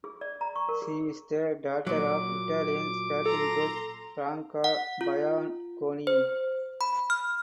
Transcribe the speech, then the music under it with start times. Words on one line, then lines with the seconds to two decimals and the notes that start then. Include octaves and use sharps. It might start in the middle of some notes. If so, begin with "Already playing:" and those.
She is the daughter of Italian skating coach Franca Bianconi.
0.04 G#4
0.21 D5
0.41 A#5
0.56 C#6
0.69 A#4
0.82 G#4
1.87 A#2 F#3 D6
3.26 A4 A#5 C6
4.64 F#5
5.01 F4
6.07 C5
6.81 B5
7.10 F6